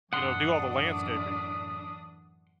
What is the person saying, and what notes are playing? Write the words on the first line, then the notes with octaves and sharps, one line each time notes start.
you know, do all the landscaping.
F#2 A2 E3 D4 D5 F#5 C6 D#6